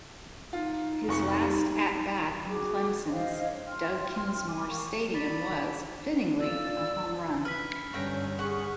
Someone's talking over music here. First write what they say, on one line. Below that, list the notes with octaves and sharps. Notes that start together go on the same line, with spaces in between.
His last at-bat in Clemson's Doug Kingsmore Stadium was, fittingly, a home run.
D#4 F4
F1 C#6 C#7
G3
F#4 G#4 D6
C5 C#5 D#5 F5
G5 C6 F6
G#5 D6
A#4 F5 G5 C#6
D5 B5
F4 D5 E6
B4 F6 B6
G2 D3 A3 C#4 G5 A#5
G#4 F#5 C#6